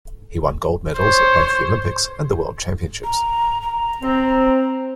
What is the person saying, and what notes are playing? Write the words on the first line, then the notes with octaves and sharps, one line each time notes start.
He won gold medals at both the Olympics and the World Championships.
C5 C#5
A#5
A#5
C4